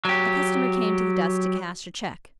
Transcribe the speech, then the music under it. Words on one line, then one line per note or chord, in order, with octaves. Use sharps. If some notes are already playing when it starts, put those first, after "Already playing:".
A customer came to the desk to cash a cheque.
F#3 G4